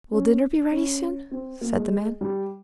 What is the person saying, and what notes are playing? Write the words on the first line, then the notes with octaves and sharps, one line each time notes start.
"Will dinner be ready soon?" said the man.
C#4
C#4
C4
A#3
G#3
G3